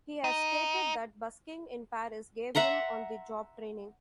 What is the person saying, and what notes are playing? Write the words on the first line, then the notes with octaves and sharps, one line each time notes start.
He has stated that busking in Paris gave him on the job training.
D#4
E5 F#5 A#5 C6